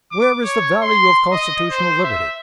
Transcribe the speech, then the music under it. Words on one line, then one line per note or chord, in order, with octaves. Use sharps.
Where is the value of constitutional liberty?
D6
C#5
C6
D#5
C5
E5